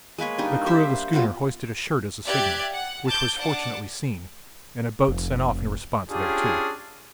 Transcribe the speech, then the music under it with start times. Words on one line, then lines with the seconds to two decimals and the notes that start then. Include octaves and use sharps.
The crew of the schooner hoisted a shirt as a signal, which was fortunately seen, and a boat sent off in response thereto.
0.18 G#3 A#3 B4 C#5
0.38 G3 D4 D#4
0.66 G4 C5 E5
1.13 F#3 G3 B3 F4
2.26 G4 D5 E5 F#6 G#6
2.72 F#5
3.07 A5 D6 G6
3.37 D4 F#5 A5 D6
5.08 F1
6.10 C#4 D4 F4 G4 G#4